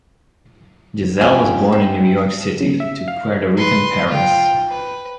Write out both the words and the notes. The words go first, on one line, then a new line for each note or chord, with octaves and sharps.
Gisselle was born in New York City to Puerto Rican parents.
F2 C#4 G4 G#5
C4
C#3
E5
F5
B4 C6
F4 G5
B4